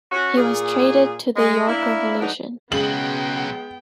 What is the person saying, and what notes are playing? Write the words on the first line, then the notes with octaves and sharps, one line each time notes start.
He was traded to the York Revolution.
C#4 F#4
A#2 G#4
G#3
A#3 D4 E4
F#3 G#3 B3 D4 D#4
B1 C#3 F#3 G#3 B3 G5 F#7